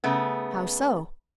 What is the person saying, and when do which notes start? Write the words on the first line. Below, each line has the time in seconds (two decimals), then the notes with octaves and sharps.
"How so?"
0.04 C#3 A3 B3